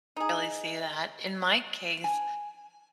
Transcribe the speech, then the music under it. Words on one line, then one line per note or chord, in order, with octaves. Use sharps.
Really see that. In my case,
D#4 G#4
G#5